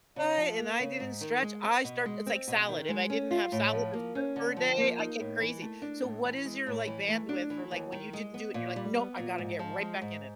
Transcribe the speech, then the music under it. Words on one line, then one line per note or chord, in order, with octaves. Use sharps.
go by, and I didn't stretch, I start it's like salad, if I didn't have salad or fruit for a day, I get crazy. So what is your, like, bandwidth for, like, when you didn't do it and you're like, "No, I gotta get right back in it."
C#3
F3
A#3
C#3
G#2
D#3
G#3
C4
B2
G#3
C4
B2
D#3
G#3
C#4
F4
A2
F3
A#3
C#4
D3
F3
A#3
D#4
A2
E3
A3
D4
A2
E3
G#3
A2
E3
A3
D4
E3
D#2
D#3
G#3
B3
A#2
G3
B3
A#2
G#2
F3
G#3
G#2